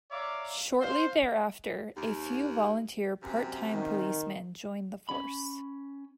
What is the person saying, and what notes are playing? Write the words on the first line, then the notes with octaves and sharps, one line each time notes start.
Shortly thereafter, a few volunteer part-time policemen joined the force.
C#5 D5 E5 F5 A#5 D6
C5 F5 C6
D#2
F#2 C3 G4
D#3
C#4 B5